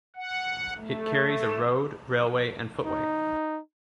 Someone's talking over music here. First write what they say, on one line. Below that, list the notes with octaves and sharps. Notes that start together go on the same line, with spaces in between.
It carries a road, railway and footway.
F#5
A3
D#4